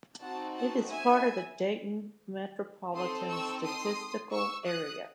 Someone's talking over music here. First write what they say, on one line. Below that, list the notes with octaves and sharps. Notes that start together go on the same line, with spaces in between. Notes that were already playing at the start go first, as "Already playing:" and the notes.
It is part of the Dayton Metropolitan Statistical Area.
C4 D#4 F#4 F#5 A5
F#5 A5
E5 G#5
C4 D#4 A4 C6 D#6
C#6 E6
C6 D#6
C#6 E6
D#6 F#6